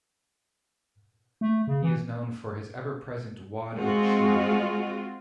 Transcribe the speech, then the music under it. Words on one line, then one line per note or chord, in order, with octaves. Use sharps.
He is known for his ever-present wad of chew.
A3
C#3
E3
G#3 C4 F4 F#4